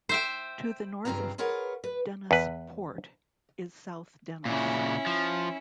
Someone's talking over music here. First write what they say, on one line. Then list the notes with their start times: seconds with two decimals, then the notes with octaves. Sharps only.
To the north of Dennis Port is South Dennis.
0.09 C5 E5 G5
1.05 G2 C#3 C4 F4 B4 A#5
1.38 F4 G#4 A#4 B4 C#5 F#5
1.84 B4
2.31 E2 B4
4.45 A#2 C#3 C#4 E4
5.07 F3